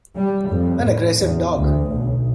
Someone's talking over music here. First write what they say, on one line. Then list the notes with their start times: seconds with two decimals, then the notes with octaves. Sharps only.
An aggressive dog.
0.17 G3
0.48 F2
0.83 A2
1.20 E2
1.56 D2
1.93 B1